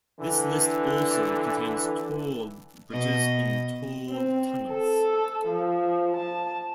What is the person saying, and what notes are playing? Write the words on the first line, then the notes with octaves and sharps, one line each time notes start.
This list also contains toll bridges and toll tunnels.
D3 E3
B2 D#5
C4
A4
F3
A5